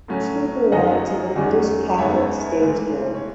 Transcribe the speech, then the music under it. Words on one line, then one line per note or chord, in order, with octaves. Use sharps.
She belonged to the British Catholic Stage Guild.
A2 F#3 A3 C#4
F#2 D#3 F#3 C#4 D#5 F#5
E2 D#3 F#3 C#4
F#2 D#3 G#3 B3 C#5 E5
G#2 E3 A3
C#5